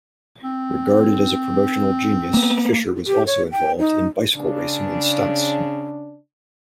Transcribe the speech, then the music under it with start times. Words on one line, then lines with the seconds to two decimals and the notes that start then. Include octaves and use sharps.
Regarded as a promotional genius, Fisher was also involved in bicycle racing and stunts.
0.43 C4
2.34 A#3 B3
3.07 G4
3.26 C#5
3.52 G5
3.79 D#4
4.35 C#3 D4